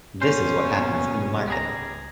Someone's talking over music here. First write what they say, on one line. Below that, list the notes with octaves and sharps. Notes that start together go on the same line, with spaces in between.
This is what happens in the market.
C3 F#3 B3 C#4 C5
A#2
C#2 G3 G#4 A#5